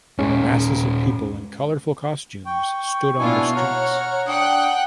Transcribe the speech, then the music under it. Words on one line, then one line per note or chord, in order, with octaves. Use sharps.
Masses of people in colorful costumes stood on the streets.
D#2 A#2 G#3 C#4
G5 C#6
B2 D4 E4 F4 G#5
C#5 F#5 A#5 F6
D4 F#5 G5 D#6 F#6